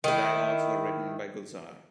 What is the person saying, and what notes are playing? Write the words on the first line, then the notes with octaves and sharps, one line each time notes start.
The dialogues were written by Gulzar.
D#3 E4